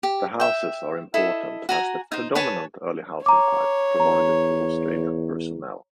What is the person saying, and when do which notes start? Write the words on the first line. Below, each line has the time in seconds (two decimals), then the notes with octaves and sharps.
The houses are important as the predominant early housing type provided for Australian personnel.
0.03 G4
0.40 E5 G5
1.14 E4 A4 D#5
1.69 F#4 G#5 A#5
2.12 D#4 C5
2.35 B4 C#5 G#5 A5
3.26 C#5 A#5 D6
4.00 E2 A#5